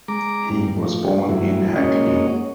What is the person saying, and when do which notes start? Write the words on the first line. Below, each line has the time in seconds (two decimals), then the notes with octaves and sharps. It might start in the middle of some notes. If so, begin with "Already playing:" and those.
He was born in Hackney.
0.08 G#3 A#5 D6
0.50 G2
0.77 F3 A3
1.29 G2 E3 F#3 A3 E4 F#4
1.76 G#3 A#3 C#4 F#4 C#5 D#5